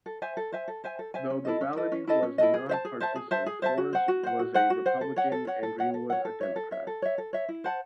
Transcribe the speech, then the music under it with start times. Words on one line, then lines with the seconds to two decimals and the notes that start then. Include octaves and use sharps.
Though the balloting was nonpartisan, Flores was a Republican and Greenwood a Democrat.
0.06 A4
0.22 C5 E5 G#5
0.37 A4
0.52 C5 E5 G#5
0.68 A4
0.84 C5 E5 G#5
0.99 A4
1.14 C5 E5 G#5
1.30 C#4
1.45 E4 A4 D#5
1.61 C#4
1.76 E4 A4 D#5
1.92 C#4
2.07 E4 A4 D#5
2.22 C#4
2.38 E4 A4 D#5
2.54 G#4
2.69 C5 E5 A5
2.85 G#4
3.00 C5 E5 A5
3.16 G#4
3.31 C5 E5 A5
3.46 G#4
3.62 C5 E5 A5
3.78 F#4
3.93 C5 F#5
4.08 F#4
4.23 C5 F#5
4.39 F#4
4.54 C5 F#5
4.70 F#4
4.86 C5 F#5
5.01 A4
5.16 C#5 F#5
5.32 A4
5.47 C#5 F#5
5.63 A4
5.78 C#5 F#5
5.94 A4
6.10 C#5 F#5
6.25 A4
6.41 C#5 E5
6.56 A4
6.71 C#5 E5
6.87 A4
7.02 C#5 E5
7.18 A4
7.33 C#5 E5
7.49 E4
7.64 C5 F#5 A5